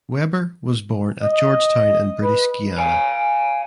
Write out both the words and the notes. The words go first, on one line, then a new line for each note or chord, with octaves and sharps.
Weber was born at Georgetown in British Guiana.
D#5
B4
F5 G#5